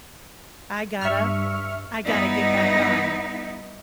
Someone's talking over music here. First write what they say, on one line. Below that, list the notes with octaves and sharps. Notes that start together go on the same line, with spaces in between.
I gotta, I gotta get back on.
G2 E5 C#6 F6
G2 B3 D#4 E4